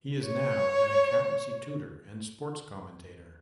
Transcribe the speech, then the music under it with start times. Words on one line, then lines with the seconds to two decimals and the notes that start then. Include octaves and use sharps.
He is now an accountancy tutor and sports commentator.
0.26 C#5